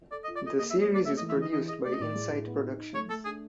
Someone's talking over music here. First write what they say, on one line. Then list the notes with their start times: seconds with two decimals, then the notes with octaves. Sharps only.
The series is produced by Insight Productions.
0.11 A4 D5
0.24 D#5
0.28 F4
0.36 D5
0.43 A4 D#5
0.59 A#3 D#5
0.70 E5
0.75 C#5
0.82 D#5
0.91 A#3 D5
1.06 A3 E5
1.18 D#5
1.21 E3
1.29 E5
1.37 E3
1.42 D#5
1.53 E4 D#5
1.69 G#4 D#5
1.85 A3 D5
1.94 D#5
2.00 A2 D5
2.15 G#3
2.32 A2
2.47 B3
2.62 D#4
2.78 D#4
2.94 A3 C#5
3.10 A3 A4
3.25 D4 G#4